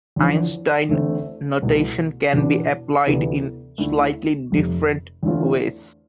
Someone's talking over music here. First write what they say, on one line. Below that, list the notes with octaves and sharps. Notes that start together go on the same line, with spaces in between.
Einstein notation can be applied in slightly different ways.
E2 D3 F3
E2 D3 A3 C4 E4
C2 B2 A3
E2 B2 B3 D4
D2 C3 E3 B3
D2 D3 A3 E4
F1 F2 C3
E2 D3 A3 C4 F4